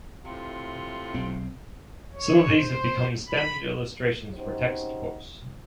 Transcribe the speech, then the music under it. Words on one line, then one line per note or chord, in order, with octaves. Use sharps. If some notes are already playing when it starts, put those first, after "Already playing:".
Some of these have become standard illustrations for textbooks.
A2 C3 F4
B1 C4
C#5
C5
B5
C4 C#4 D#4 F#4 G4 C5